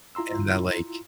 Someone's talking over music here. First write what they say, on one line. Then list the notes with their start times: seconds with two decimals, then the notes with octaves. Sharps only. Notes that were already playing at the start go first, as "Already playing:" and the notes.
And that, like,
0.15 E4 F4 A#5 C6 E6